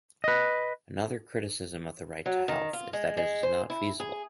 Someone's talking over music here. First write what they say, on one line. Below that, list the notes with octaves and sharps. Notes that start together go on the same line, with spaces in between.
Another criticism of the right to health is that it is not feasible.
B4 D#5
F#3
D#3
F4
G#3
G#3
C5
E4
G#4